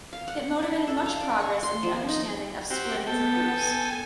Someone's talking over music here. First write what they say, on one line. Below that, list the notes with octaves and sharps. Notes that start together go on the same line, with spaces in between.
It motivated much progress in the understanding of splittings of groups.
F5
F#5
D4
A4
F5
D5
C#6
C6
F3
D#4
C4 F#4 G4
B3 A4 G5
G#5